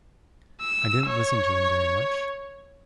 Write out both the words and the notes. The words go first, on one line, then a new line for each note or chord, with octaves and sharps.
I didn’t listen to him very much.
E6
C#5